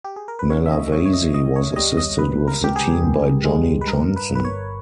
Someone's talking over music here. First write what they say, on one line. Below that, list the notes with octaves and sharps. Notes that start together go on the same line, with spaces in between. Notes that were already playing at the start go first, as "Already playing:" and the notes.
Malavasi was assisted with the team by Johnny Johnson.
G4
G#4
A#4
B4
C#3 C#5
E5
D#5
C#2 C#5
C#5
D#5
C#2 D#5
C#5
G3 D#5
D#5
C#2 B4
A#4
C#2 G4
G#4
C#2
G#3
B4
G2 A#4
B4
G1
B4
C#5